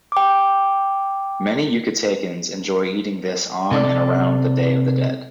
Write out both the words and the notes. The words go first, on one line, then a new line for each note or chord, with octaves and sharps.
Many Yucatecans enjoy eating this on and around the Day of the Dead.
G5 D6
C3 A4 D5